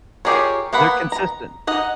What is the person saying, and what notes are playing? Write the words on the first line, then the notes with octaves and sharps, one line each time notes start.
They're consistent,
F4 G4 G#4 A#4 C#5
A#3 B3 F#5 B5
A#5
D#4 D#5 F#5